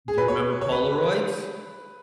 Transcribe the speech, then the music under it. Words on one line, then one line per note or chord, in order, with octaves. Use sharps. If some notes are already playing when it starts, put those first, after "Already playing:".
Do you remember Polaroids?
G#4
B4
C#5
C#5
B4